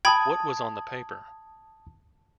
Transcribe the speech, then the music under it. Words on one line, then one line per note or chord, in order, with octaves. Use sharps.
What was on the paper?
G5 A5 B5 D#6 G#6